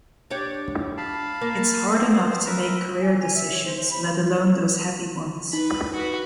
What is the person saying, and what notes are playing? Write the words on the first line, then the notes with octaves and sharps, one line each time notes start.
It's hard enough to make career decisions let alone those heavy ones.
D4 G4 C#5
F5 A5 B5
A#3
B3 C4 C5
A#4 B4 E5
G#5
G#5
E5
C#5
C5
C5
B5
D#4 B4 B5
F#4 B4